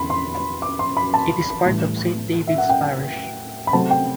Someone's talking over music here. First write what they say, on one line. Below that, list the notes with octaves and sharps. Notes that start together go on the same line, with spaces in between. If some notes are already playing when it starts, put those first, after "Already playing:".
It is part of Saint David's Parish.
Already playing: E2 D3 E4 B5 C6
C6
D6
C6
B5
A5
A2 E3 G3
E5
F#5
G5
B5
C3 F#3 A3 C4 A5
G5